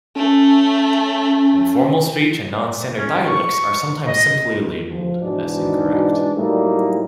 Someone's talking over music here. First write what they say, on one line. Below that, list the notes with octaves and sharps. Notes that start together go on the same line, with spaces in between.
Informal speech and non-standard dialects are sometimes simply labelled as incorrect.
A3 C#4
C#4
C#6
D#5
F3
G#2 B2 E3 D4 D#4 F#4
A2 F#3 G3 A3 A#3 D#4